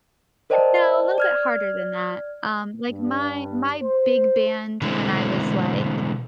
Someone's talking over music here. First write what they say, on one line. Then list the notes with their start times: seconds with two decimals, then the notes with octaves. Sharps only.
you know, a little bit harder than that, um, like, my my big band when I was, like,
0.50 A#4 C5 D5 D#5 G5 A5
1.18 D5 F6 G#6
2.89 G2
3.82 C5
4.82 B2 D3 E3 G#3 A3 C4